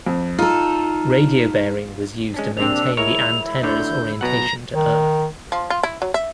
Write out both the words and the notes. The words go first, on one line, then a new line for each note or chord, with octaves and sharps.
Radio bearing was used to maintain the antennas' orientation to Earth.
F2
D#4 F4 A4
G#3 C#4 D4
A#1 C3 C4 D4 E6 F7
G#3 E4 A#4 C#5 F7
D2 D3 C#5 G6
B1 B2 F#5 A#5
D#3
F3
F4
E4
F#3
E5